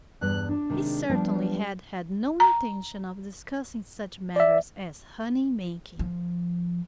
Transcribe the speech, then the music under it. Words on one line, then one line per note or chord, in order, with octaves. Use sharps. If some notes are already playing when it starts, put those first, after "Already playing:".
He certainly had had no intention of discussing such matters as honey making.
E2 G2 B3 F#6
D4
C3 D#3 G#3
F3 G3 B3 D4
A#5
D5 E5
F3